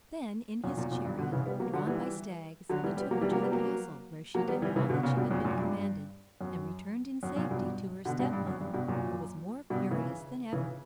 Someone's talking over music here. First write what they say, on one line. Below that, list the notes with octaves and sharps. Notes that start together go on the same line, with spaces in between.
Then, in his chariot, drawn by stags, he took her to the castle, where she did all that she had been commanded, and returned in safety, to her stepmother, who was more furious than ever.
F#2 A#2
F#2 A#2
F#2 A#2
G2
B2 D3
C#3 E3
G3 B3
F#3 A#3
D3 F#3
E3 G3
D3 F#3
E3 G3
G3 B3
F#3 A#3
E3 G3
F#3 A#3
G3 B3
F#3 A#3
F#3 A#3
G3 B3
E3 G3
C#3 E3
B2 D3
A#2 C#3
G2 B2
F#2 A#2
F#2 A#2
G2
F#2
F#2
F#2 A#2
G2 B2
B2 D3
G2 B2
G2
F#2
G2
G2 B2
F#2 A#2
G2 B2
C#3 E3
C#3 E3